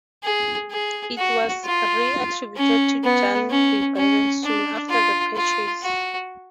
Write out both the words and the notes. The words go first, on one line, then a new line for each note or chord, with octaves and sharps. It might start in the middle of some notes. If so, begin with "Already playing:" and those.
It was reattributed to Jan de Baen soon after the purchase.
G#4
G#4
F#4
F4
C#4
B3
C#4
C#4
D4
F4
F4
F#4